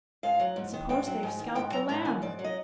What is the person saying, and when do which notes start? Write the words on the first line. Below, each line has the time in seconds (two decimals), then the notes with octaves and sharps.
And suppose they scalped the Lamb!'
0.23 G#2 F5
0.40 F#3
0.56 G#2
0.73 D#3
0.89 G#2 G5
1.07 F#3
1.23 G#2
1.39 D#3
1.55 G#2 G5
1.72 F#3 A#5
1.89 G#2 A#5
2.05 D#3 G#5
2.22 G#2 D5
2.39 F#3
2.44 D#5